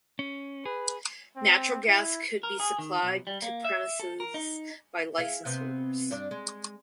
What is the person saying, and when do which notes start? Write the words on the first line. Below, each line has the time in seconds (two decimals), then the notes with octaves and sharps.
Natural gas could be supplied to premises by license holders.
0.19 C#4
0.65 G#4 B4
1.36 C4
1.87 E4
2.43 A#4
2.60 G#4
2.79 D#3
3.03 B1
3.27 G3
3.42 A#3
3.65 E5
4.00 A4
4.20 A#4
4.34 D#4
5.18 E4 G#4 F5
5.45 C3 B3 C4
6.11 G2 D4 D5
6.31 G#3